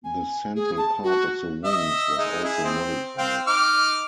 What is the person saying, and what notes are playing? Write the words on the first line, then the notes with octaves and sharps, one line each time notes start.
The central part of the wings was also modified.
G#5
G#4
A5
F#4
D#5 E5
G#3 D#4
E4 G#4
C4
C4 F5 G5
D#4 D6 F6